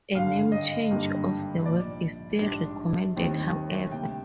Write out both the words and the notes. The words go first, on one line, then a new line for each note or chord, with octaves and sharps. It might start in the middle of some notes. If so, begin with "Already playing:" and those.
A name change of the work is still recommended, however.
G#1 G2 D3 F5
D#5
G#1 G2 D3 G3 A#3
A#1 A#2 F3 D5
A#1 G#2 G3 D4
D#2 D#3 G3 C4
D2 C3 G3 A#3 G5